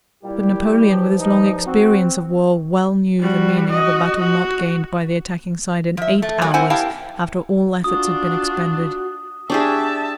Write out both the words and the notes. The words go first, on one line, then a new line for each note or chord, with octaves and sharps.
But Napoleon with his long experience of war well knew the meaning of a battle not gained by the attacking side in eight hours, after all efforts had been expended.
A#2 G3 E4 G4
G2 F3
D#4
C4 F#4
G3 F#4
F#4 D#5
F#4
F3 E5
A3
F#3 G3 A#3 G#5
C4 E4 C5 F#5 G#5 A5
E4 G4 A#4 F5 G5 A5
D4 F4 F#4 D#6
D4 G4 G#4 E5 A5 C#6